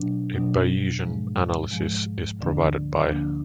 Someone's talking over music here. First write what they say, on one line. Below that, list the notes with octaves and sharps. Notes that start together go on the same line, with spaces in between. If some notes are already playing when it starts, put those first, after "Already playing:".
A Bayesian analysis is provided by.
Already playing: B2 F#3 D4
B2 F#3 D4
G#2 F3 G#3
G#2 F3 G#3
D2 D3 F3 A#3 D4
D2 D3 F3 A#3 D4